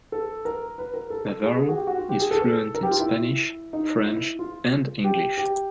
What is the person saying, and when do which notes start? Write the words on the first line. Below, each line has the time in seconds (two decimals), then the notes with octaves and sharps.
Navarro is fluent in Spanish, French and English.
0.12 A4
0.45 A#4
0.78 B4
0.94 A#4
1.10 A4
1.43 G#4
1.69 F#4
1.76 G4
1.87 F#4
1.98 F4
2.09 G4
2.20 G#4
2.31 A4
2.42 A4
2.75 A#4
2.83 G4
2.91 F4
2.99 E4
3.73 D#4
4.06 E4
4.39 F4
5.04 G4
5.38 G4